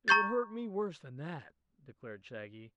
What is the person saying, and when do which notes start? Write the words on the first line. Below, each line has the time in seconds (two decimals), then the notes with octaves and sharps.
"It would hurt me worse than that," declared Shaggy.
0.08 A#5 C#6 G6 A6